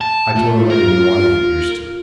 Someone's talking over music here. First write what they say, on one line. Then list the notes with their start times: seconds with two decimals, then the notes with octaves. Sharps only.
I told him I didn't want to get used to it.
0.01 A5
0.36 A3 F4
0.70 A#4